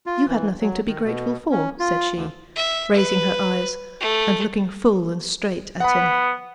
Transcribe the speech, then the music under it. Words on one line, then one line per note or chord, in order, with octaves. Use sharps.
'You had nothing to be grateful for,' said she, raising her eyes, and looking full and straight at him.
F4
E3
F#3
D#3
B2
C#4
F4
D2
E5
B4
A3
B3 F#5 B5